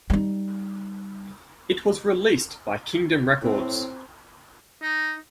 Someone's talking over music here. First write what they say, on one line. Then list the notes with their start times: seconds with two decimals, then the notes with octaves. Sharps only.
It was released by Kingdom Records.
0.10 G3 D#4
3.42 A2 C4
4.82 D#4